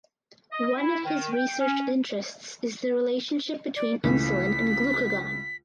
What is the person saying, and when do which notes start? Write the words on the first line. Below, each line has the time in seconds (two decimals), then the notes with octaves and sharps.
One of his research interests is the relationship between insulin and glucagon.
0.52 D#5
0.78 E4
1.05 D#3
1.33 G5
1.59 C#4
3.76 D5
4.04 C#2 E3 A3 B6